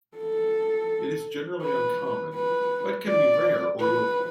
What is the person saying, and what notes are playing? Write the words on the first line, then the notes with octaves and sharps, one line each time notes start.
It is generally uncommon but can be rare or local.
A4
B4
B4
D5
B4